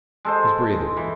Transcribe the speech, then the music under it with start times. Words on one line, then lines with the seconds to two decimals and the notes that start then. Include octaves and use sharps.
He's breathing.
0.25 G#3 A4 C5
0.97 E3